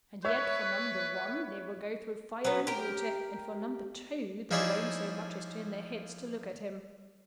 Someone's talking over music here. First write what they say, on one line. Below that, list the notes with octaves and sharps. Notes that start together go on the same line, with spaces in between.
And yet for Number One they will go through fire and water, and for Number Two they won't so much as turn their heads to look at him.
B4 C#5 E5
F#3 B3
G4 A#4
F3 D#4 E4 G#4 C#5 D5